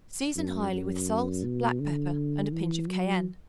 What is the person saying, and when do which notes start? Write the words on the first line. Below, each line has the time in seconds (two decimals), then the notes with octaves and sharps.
Season highly with salt, black pepper and a pinch of cayenne.
0.36 F#2
0.72 F#2
1.44 B2
1.80 D3
2.52 E3
2.88 F#3